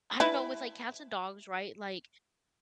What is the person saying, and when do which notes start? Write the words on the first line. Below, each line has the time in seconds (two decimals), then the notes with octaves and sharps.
I don't know with, like, cats and dogs, right, like,
0.20 E4 B4